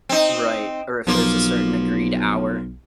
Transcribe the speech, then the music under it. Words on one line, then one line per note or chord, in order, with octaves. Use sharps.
Right. Or if there's a certain agreed hour.
C4 D#4
B1 F3 A#3 F4